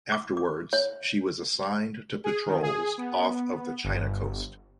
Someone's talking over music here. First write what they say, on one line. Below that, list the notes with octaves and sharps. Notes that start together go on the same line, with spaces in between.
Afterwards, she was assigned to patrols off of the China coast.
D6
D6
C#5
G#4
D#3
G#4
B3
G1